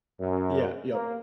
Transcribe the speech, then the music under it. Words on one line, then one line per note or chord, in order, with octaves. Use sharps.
Yeah, yep.
F#2
A#3